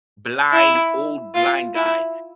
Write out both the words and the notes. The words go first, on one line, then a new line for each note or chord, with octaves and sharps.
blind old blind guy,
E4
F4
E4